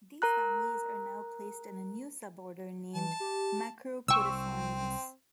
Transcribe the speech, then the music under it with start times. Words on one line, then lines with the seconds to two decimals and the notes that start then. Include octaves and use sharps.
These families are now placed in a new suborder named Macropodiformes.
0.22 A#4 A#5 F#6
2.95 E3 A5
3.20 G4
4.08 C2 C4 G5 C#6 E6